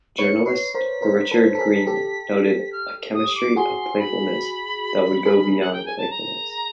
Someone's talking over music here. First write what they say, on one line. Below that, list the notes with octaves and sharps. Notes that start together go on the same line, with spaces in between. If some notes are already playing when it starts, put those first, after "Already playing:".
Journalist Richard Green noted a "chemistry of playfullness that would go beyond playfullness".
B4 C#5 C#7
B4 C#5 C7
A#4 C5 B6
A#4 C5
A4 B4
A4
G#4 A#4
G4 A4
F6
D#6
D6
F#4 G#4 C6
B5
G#4 A#4
F#5
G5
G#5
A5
A#5